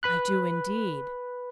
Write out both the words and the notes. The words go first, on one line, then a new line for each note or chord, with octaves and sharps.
"I do, indeed."
B4 B5 F#6